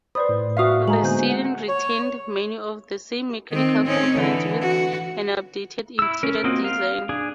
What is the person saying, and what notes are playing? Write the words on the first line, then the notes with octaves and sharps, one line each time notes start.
The sedan retained many of the same mechanical components with an updated interior design.
B4 C5 D5 B5 D#6
A2
F#4 E5 F5 C#6 D#6
G#3 G#4 A#5 F#7
D3 A#3 B3 C5 G#5 G6
F#5
C#5
D#3 C4
C4 C#4 D#4
D3 E3
F#4
E4 E6
C#4 A#4
A#3 C4 F4 F#4 D#5
F5
D4 G#4